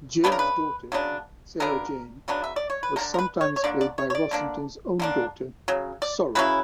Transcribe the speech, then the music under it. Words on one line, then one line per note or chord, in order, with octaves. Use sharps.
Jill's daughter, Sarah-Jane, was sometimes played by Rossington's own daughter, Sorrel.
C#3 F#3 B3 D4 B4
A#4
B4
C#3 F#3 B3 D4
C#3 F#3 B3 D4 A#4
C#3 F#3 B3 D4
E5
D5
C#5
B4
D3 A#3 D4 A#4
A#4
B4
C#5
C#5
D3 A#3 D4 D5
D5
C#5
C#5
D5
D3 A#3 D4
D3 A#3 D4
C#3 F#3
D5
C#3 F#3 C#4 E4 B4